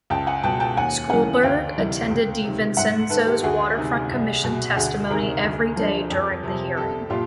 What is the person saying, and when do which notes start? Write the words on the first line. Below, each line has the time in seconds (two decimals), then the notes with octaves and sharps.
Schulberg attended DeVincenzo's waterfront commission testimony every day during the hearing.
0.10 C#2 G5 A5
0.27 F#5 G#5
0.43 B2 G5 A5
0.60 G5 A5
0.77 D#2 F#5 G#5
1.10 C#3 E3 F#5 G#5
1.43 D2 F5 G5
1.77 C3 E3
2.10 C#2
2.44 C3 D#3
2.77 G#2 E5 F#5
3.10 D#3 A4 B4
3.27 G4 A4
3.43 D2 F#4 G#4
3.77 C3 D#3
4.11 C2
4.44 B2
4.76 D2 F#4 G#4
5.10 C3 D#3 G#4 A#4
5.43 D2
5.76 D3 F3
6.10 F2
6.43 C3 F3
6.76 C2 G4 A4
7.10 A#2 F4 G4